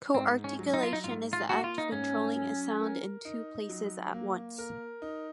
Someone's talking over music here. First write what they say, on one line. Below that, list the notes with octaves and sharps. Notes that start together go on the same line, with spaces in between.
Coarticulation is the act of controlling a sound in two places at once.
G#2 C4
C#4
F#3
D#4
F4
D#4
G#2 F4
F4
A#3 F#4
F4
D#4
G#2 C#4
F#3
A#4
D#4
F#3
A#3
A#4
D#4